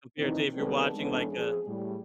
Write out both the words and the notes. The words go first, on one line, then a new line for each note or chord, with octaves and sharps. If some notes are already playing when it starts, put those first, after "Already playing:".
compared to if you're watching, like, a
F2 A2 D#3 E3 C4 D#4
D#3 G3 G#3 B3 C4 A4
E3 G#3 B3 C#4 D4 A4
F2 G#4
A2 G3